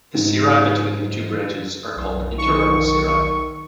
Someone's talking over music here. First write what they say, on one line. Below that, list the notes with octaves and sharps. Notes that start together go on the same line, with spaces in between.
The cirri between the two branches are called interramal cirri.
G#2
B1
D#3 C#6